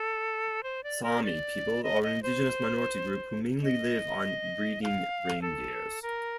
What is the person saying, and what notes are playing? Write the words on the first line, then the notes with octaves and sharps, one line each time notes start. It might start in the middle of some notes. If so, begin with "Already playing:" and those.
Sami people are an indigenous minority group who mainly live on breeding reindeers.
Already playing: A4
C5
D5
A#4
D5
D#5
D#5
C5
D#5
F5
A4
A#4